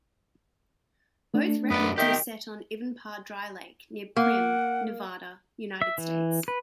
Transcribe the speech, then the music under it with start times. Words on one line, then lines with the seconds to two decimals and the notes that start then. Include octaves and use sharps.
Both records were set on Ivanpah Dry Lake near Primm, Nevada, United States.
1.34 A3 D4
1.70 F#2 B3 D5
1.98 D#3 B3 G4 E5 G6
4.16 A#3 F#5
5.82 E5
5.98 E3
6.48 B4